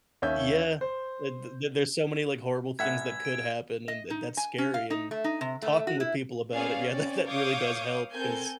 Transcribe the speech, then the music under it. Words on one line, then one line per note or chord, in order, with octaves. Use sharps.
Yeah, tha th th there's so many, like, horrible things that could happen, and th that's scary, and talking with people about it, yeah, that that really does help 'cause
D#2 C#4 E5 G6
C5
A1 E5 F#5 G#6
D7
D#5
D#4
G#5
C#4
F5
D#4
A3
D#4
C3
A3
F#4
E4
B3 C#4 G#4 D5 F5
C4 C#4 D5
C#5 F5 D6 D#6 G6
C4 A4 A#4 G#5 G6